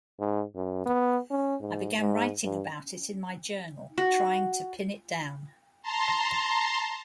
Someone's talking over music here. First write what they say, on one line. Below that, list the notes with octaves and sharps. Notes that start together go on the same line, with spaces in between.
I began writing about it in my journal, trying to pin it down.
G#2
F#2
B3
C#4
G#2
G#2
G2
F#4
A5 A#5 C6